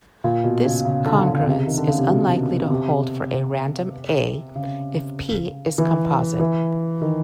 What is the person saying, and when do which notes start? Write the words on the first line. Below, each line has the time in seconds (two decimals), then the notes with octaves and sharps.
This congruence is unlikely to hold for a random "a" if "p" is composite.
0.24 A#2
0.44 B2
0.65 C#3
0.85 C#3
1.06 D3
1.26 C#3
1.41 C#3
1.47 C3
1.67 D#3
1.77 D3
1.88 C#3
1.98 C3
2.09 B2
2.70 C3
4.55 C#3
5.78 E3
6.40 E3
7.02 D#3